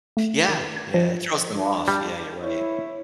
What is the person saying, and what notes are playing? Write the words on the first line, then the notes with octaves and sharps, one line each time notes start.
Yeah, yeah. It throws them off. Yeah, you're right.
A3
D#3
G#6
F3
D4
G3
E4 C#5